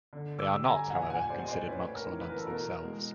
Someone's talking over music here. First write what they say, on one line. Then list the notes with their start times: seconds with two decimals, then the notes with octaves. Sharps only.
They are not, however, considered monks or nuns themselves.
0.13 D3
0.38 D6 E6
0.52 G3
0.65 G#5 A#5
0.90 A#2 F#5 G#5
1.10 F#5 G#5
1.29 G3 C5 D5
1.44 D#5
1.48 C5 D5
1.68 A2 B4 C#5
1.94 A#4
2.07 E3
2.20 B4
2.29 A#4
2.38 A4
2.45 B2 A#4
2.84 G#3